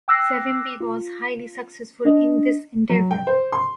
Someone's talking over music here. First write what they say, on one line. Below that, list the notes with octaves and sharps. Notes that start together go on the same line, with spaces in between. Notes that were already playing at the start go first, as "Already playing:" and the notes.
Savimbi was highly successful in this endeavour.
G5 D6 E6 F#6 A#6 C7
F4
D4 D#5
F#3
G5
C5
C6